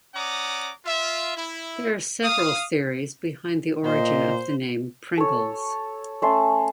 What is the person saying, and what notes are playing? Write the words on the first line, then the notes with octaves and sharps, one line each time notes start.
There are several theories behind the origin of the name "Pringles".
C#4 D5 F#5 A#5 D6 D#6
F4 E5
E4
F5 D#6
A#2 C5 D#5
A4 C#5
A3 C#4 A5 C6